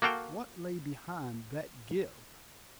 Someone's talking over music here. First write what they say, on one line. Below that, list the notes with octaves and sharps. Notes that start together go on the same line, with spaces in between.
What lay beyond that give?
A#3 F#4 A4 F5 G5